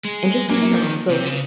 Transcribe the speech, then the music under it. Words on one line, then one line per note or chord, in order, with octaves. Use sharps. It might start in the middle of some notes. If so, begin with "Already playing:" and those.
and just in general, so
G#3
F#3 A#3
F#3
F3
D#3
C3
C#3